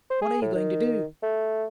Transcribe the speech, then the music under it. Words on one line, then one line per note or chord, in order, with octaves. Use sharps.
"What are you going to do?"
C5
G#4
A2
D#3
A3